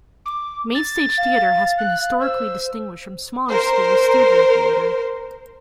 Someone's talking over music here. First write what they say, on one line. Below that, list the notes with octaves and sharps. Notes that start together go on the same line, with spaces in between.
Mainstage theatre has been historically distinguished from smaller-scale studio theatre.
D6
A6
F5
F#6
C5 E6
A#4 C5